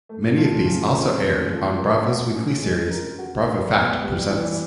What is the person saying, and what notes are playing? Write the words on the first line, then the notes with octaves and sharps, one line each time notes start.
Many of these also aired on Bravo's weekly series "Bravo!Fact Presents".
A3
F3
C#3
F2
A3
F3
A#4
F#4
C#4
G#3
A#4
F#4
D4
B3
G3
E3